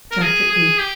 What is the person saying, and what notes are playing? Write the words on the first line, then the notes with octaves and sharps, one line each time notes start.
Chapter VIII.
A#4
G#4
G#4
G4